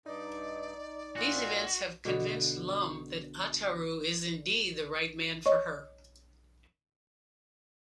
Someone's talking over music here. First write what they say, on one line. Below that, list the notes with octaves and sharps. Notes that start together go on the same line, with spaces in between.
These events have convinced Lum that Ataru is indeed the right man for her.
G2 D#4 D5
A#2 F#4
B2 D3
C#5 D#5 C#6